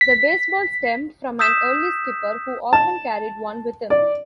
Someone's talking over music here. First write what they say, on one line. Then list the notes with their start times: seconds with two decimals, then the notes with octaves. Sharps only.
The baseball stemmed from an early skipper who often carried one with him.
0.01 B6
1.39 D#6 E6 G6 B6 E7
2.73 A5
3.90 D5